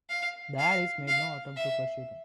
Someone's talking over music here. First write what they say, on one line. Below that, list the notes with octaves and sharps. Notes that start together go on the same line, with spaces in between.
The allies made no attempt to pursue them.
F5
F5
F5
E5